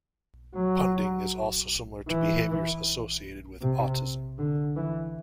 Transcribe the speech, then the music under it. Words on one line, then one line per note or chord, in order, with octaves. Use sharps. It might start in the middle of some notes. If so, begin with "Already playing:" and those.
Punding is also similar to behaviors associated with autism.
F#3
E3
C3
D3
E3